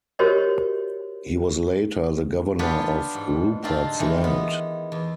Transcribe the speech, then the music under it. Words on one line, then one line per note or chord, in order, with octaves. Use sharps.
He was later the Governor of Rupert's Land.
F#4 G4 A#4 C5 C#5 D#5
B3 D4 F4 G4 B4 C#5
G#2
C4 D4 D#4 F4 G4
D#3 E3 G#3
B3
E2